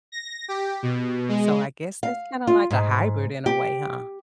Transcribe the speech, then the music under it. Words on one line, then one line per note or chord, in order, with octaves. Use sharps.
So, I guess that's kinda like a hybrid in a way, huh?
A#6
G4
B2
G#3
F5
F4
G#2
G4